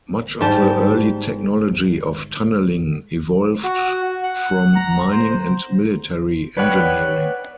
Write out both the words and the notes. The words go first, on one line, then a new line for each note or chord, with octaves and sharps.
Much of the early technology of tunneling evolved from mining and military engineering.
G#2 G3 A5
F#4
F#5
A#5
C5
B4 C#5 D5 F#5 G5